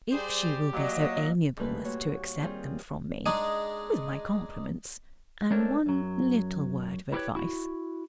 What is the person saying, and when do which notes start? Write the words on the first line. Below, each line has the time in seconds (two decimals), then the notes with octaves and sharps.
"If she will be so amiable as to accept them from me, with my compliments and one little word of advice...."
0.12 G3 G4 G#4 C5 D5
0.73 A#2 F#3 D#5
1.57 G#2 G3 A3 A#3 B4
1.85 A#2 F#4 C#5
2.41 D#3 G3 C4 F4 G#4
3.26 G#3 D4 D#4 G#4 D#5
5.51 G#3 A3 C4 D4 A#4 C#5
5.86 F#2 F#3
7.12 E4 F#4 G4 A4 B4 C#5
7.35 E4 F#4